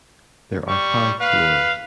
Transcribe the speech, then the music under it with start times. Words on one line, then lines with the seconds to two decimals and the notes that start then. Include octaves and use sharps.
There are five floors.
0.67 G3 C#6
1.19 B4 F5